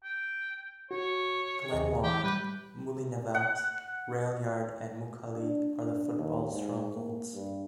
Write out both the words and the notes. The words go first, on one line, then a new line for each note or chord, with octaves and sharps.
Glenmore, Mullinavat, Railyard and Muckalee are the football strongholds.
G5
F#4 C#5
D#2 G#4 D#5
E3 G4
G3 B4 G6
F#5
D4
D4
D#2
G#2
A#3
G2